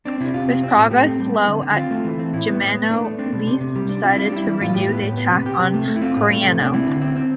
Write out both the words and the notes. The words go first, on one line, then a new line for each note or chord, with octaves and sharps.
With progress slow at Gemmano, Leese decided to renew the attack on Coriano.
C4 D4
C3 E4
C3 F4
C4
C4
A2
A3 G4
C4
G3
B3
D3
D3
C4 F4
A3
E3
C4
A2 E4
B3
A2
B3
A3 D4
A3
C4 D4
B2
C3
C3
G3
C3 D4
C4 F4
G3 E4
D4
G3 E4
E3
A2 F4
A2 G4
B3
A2
B3
C3
C3 G4
C3
A3
A3
E4
C4 F4
A2
A3
C3
C3 D4
C4 E4
D3
C4
C4